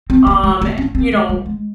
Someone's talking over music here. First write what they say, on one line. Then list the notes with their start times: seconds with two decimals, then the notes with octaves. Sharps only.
um, you know,
0.10 C4
0.27 A#3
0.44 G#3
0.62 A#3
0.78 C#4
0.95 C4
1.12 G#3
1.29 G3
1.46 G#3